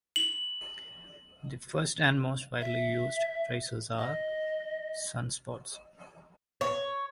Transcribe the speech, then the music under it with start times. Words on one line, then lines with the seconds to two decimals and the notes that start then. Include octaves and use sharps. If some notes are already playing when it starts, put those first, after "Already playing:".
The first and most widely used tracers are sunspots.
0.16 F#7
2.61 E5
3.98 D#5
6.61 C#5